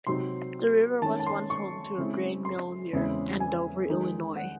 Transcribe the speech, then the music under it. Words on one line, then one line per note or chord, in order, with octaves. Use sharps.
The river was once home to a grain mill near Andover, Illinois.
C3 F#3 C4 D#4 C6
D#3 G#3 C#4 A5
A5
C6
C#6
C#3 G#3 C4 E4
C6
E2 C#3 G#3 C4 E4
G#5
D#3 G#3 D#4
F#5